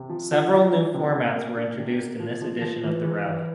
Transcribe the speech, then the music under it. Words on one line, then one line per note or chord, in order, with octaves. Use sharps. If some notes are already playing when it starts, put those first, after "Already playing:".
Several new formats were introduced in this edition of the rally.
Already playing: C3
F3
F3
F3
D4
C3
A#3
A#3
D4
C3
A#3
F3
F3
F3
E3
E3
E3